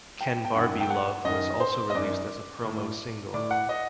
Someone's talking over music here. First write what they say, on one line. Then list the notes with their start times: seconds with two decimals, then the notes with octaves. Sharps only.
"Kenbarbielove" was also released as a promo single.
0.21 G5
0.45 G5
0.55 F#2 D#3 F#5
0.80 G5
0.90 F#5
1.25 F#2 D#3 D#5
1.60 C5
1.90 D#5
1.95 F#2 D#3 D5
2.65 A2
3.34 A2 D5
3.51 F#5
3.69 D#5